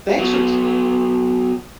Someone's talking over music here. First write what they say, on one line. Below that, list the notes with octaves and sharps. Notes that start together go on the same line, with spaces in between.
thanks for t
F#3 B3